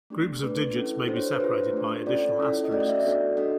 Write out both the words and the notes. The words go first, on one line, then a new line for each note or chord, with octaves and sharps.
Groups of digits may be separated by additional asterisks.
A3 D4 G4
A3 D4 G4 B4
C#4 E4 A4
D4 F#4 A4 C5
C#5
C5
B4
D4 F4 G#4 C5
A3 D4 G4
C#4 F4 A4 D5
C#4 E4 A4
D#5
A3 C#4 F#4 D5
D#5
E5
D5
B3 D4 F#4 A4
D4 F#4 A4 D#5